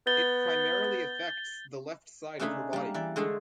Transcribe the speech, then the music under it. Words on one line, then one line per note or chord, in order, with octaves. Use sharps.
It primarily affects the left side of her body.
B3 G6 A6 G7
C#3 A3 D4 D#4 G#4 B5
G3 A#3
E3 D5
D3 G#3 A3 G#4